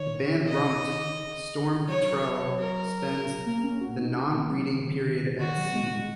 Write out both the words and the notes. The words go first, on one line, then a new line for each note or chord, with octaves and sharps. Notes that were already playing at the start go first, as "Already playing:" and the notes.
The band-rumped storm petrel spends the non-breeding period at sea.
Already playing: D#3 C#5
D#5
C#3
F#3 C#5
A#4
A#3
C#4
F#4
D#4
C#4
A#3
F#3
D#3
C#3
D#3
C#3
D#3 F#4
F#3
G#3
G#3